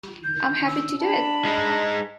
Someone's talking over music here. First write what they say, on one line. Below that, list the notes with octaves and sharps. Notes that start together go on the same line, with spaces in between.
I'm happy to do it.
G6
E6
D4 A5 B5
G#3 D#4